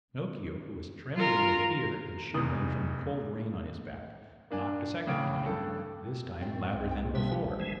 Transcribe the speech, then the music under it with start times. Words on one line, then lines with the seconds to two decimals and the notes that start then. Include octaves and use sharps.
Pinocchio, who was trembling with fear and shivering from the cold rain on his back, knocked a second time, this time louder than before.
1.15 F4 A#4
2.34 F1 E2 D#6
4.51 A#3 D4 G#5
5.07 A2 C#3 E3 D6 D7
5.46 G2 A3 A4
6.41 A2 C4 E5
6.73 C2
6.91 G5
7.15 A#1 B2 D3 G3 E5
7.44 F#1 D2
7.60 E3 G#3